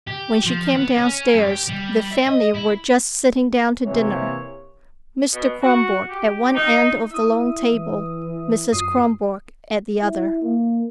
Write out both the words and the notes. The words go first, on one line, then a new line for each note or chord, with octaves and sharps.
When she came downstairs the family were just sitting down to dinner, Mr. Kronborg at one end of the long table, Mrs. Kronborg at the other.
G4
F3
B3
C#4
F#2
G4
G3
E5
D#5
E4
C3 E3 A#3 C#5
B2
F#4
G4
D#4
E4 E5 D#6
E3
F#2 F4 D#6 C7
E4
A#3